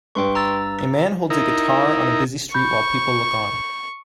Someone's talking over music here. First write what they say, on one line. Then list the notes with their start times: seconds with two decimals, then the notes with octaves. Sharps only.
A man holds a guitar on a busy street while people look on.
0.15 G2 B4 G5 C6 C#6
0.35 A#5 E6 A6
1.30 D#4 E4 A#4
2.54 B5 C#6 G6